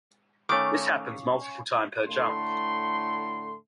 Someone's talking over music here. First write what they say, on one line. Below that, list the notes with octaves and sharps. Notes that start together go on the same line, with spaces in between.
This happens multiple times per jump.
D#3 A3 C#4 C#5 F5 D6
A2 D3 A3 C6